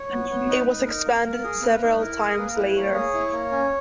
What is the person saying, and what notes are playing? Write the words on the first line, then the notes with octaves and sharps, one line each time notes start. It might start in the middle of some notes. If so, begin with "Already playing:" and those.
It was expanded several times later.
Already playing: C#5
B3
B3
D#4 B4
D#4
D#4 A#4
A#3
A#3 A#4
G#4
A#3 B4
D#4
E4 A#4
G#4
A#3 B4
A#4
E4 B4
B4
A#3 C#5
G#4
E4
A#3
C#4